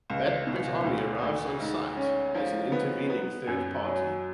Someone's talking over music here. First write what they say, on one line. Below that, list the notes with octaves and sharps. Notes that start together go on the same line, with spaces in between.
Batman's army arrives on site as an intervening third party.
C#2
B2
D2
D2
G#2
C#4
F3
B3
B3
F#2
F#3